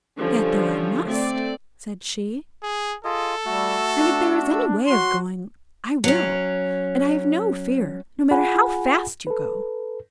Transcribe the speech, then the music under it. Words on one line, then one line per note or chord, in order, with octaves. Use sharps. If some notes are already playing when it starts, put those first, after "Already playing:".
"Get there I must," said she; "and if there is any way of going I will; and I have no fear, no matter how fast you go."
D3 F3 G3 C#4
A3 C4 D5
G#4
F4 G#4 A4 D#5
G3 A3 F#4 E6
D4
F#3 F#4 C6
F#3 C#4
F4 G#4 F#5 G#5 B5
A4 B4